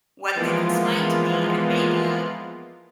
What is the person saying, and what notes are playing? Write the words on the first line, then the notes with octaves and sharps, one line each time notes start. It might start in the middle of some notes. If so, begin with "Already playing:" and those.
what they've explained to me, and maybe,
E3 F3 G#3 A#3 B3 F4